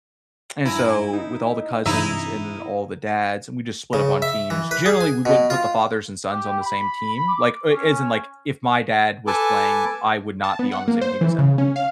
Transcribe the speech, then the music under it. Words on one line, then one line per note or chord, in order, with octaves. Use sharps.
and so with all the cousins and then all the dads, and we just split up on teams. Generally, we wouldn't put the fathers and sons on the same team. Like, uh, as in, like, if my dad was playing, I would not be on the same team as him,
G2 E4 G#5 A#5
D#4
G2 C3 E3 D#4 E4 E5
C#3
E5
E3
B4
G#4
G#5
B2
F4
G4
B5
D6
C#4
A4 B4 G#5 A5 D6
A5
B3
F#5
A#3
C5
E3
C#3
C#4
F5